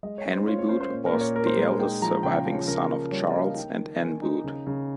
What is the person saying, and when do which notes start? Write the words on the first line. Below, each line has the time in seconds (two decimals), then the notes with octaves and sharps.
Henry Boot was the eldest surviving son of Charles and Ann Boot.
0.03 G#3 D#5
0.18 C#5
0.25 C#4
0.33 C5
0.47 F4 C#5
0.59 C#5
0.69 C#4 C5
0.81 C5
0.92 A#2
1.06 A#4
1.13 A#2
1.21 C#5
1.36 A#2 A#4
1.47 C5
1.57 G#3 A#4
1.79 D#4 G5
2.02 F3 A#5
2.23 C#3 G5
2.38 F5
2.46 F3
2.53 C#5
2.67 C#3 A#4
2.90 A#3
3.11 G3 C#5
3.27 D#5
3.34 A#3
3.41 F5
3.55 D#4 G5
3.77 D#3
4.00 D#3 G#5
4.22 D#4
4.44 C#3
4.67 C#3